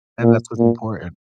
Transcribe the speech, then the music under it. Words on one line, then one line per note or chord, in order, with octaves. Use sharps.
And that's what's important.
A#2
A#2